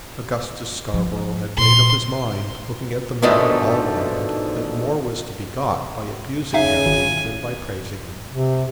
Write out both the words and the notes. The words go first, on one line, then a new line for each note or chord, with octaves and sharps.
Augustus Scarborough had made up his mind, looking at the matter all round, that more was to be got by abusing Harry than by praising him.
F3
A#2 C6
G#2 B2 D3 D#3 F3 A3
C#3 D#4 E5 F5 G#5
G#1
C3